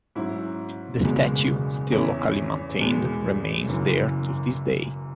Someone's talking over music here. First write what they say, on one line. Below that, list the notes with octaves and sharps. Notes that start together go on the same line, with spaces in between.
The statue, still locally maintained, remains there to this day.
G#2 F#3 C#4 E4
F#1 E2 B2 G#3
E2 E3 C#4 E4
E1 E2 B2 G#3
F#1 F#2 E3